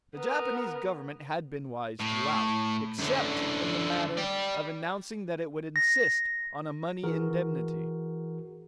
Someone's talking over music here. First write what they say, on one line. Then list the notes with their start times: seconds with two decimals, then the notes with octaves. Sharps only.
The Japanese Government had been wise throughout, except in the matter of announcing that it would insist on a money indemnity.
0.16 B3 A#4
2.00 A2
2.99 F#2 D3
4.18 D5 G5
5.76 A#6
7.03 E3 F#4 G#4 A#4